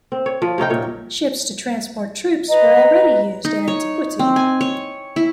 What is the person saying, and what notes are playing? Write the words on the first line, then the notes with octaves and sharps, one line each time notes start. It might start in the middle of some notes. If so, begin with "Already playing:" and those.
Ships to transport troops were already used in Antiquity.
C4
C#5
F3
C3 C#4 D#4 G5
A#2 C#5
B4 D#5 A#5
D#4
C#5
C4
G#5
C#5
E4